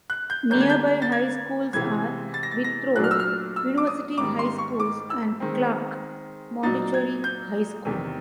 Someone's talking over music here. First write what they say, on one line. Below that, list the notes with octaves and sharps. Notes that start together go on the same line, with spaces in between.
Nearby High Schools are Withrow University High School and Clark Montessori High School.
F#6
G6
D3 G3 A#3 C#4 G6
G#6
G6
A6
G#6
C3 E3 G#3 G#6
A6
A#6
A6
A#6
A#2 F#3 A3 D4 F#6
F6
E6
F6
E6
D6
D#6
G#2 D#3 G3 D6
C6
C#6
D6
E6
D#3 G#3 C4
A#2 F#3 A#3 D#4 A6
G#6
G6
E2 C3 D#3